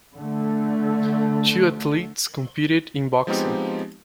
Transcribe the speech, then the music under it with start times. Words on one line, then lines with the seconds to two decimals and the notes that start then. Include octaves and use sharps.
Two athletes competed in boxing.
0.15 D3 A3
3.27 F3 G#3 B3 C4 D#4 G4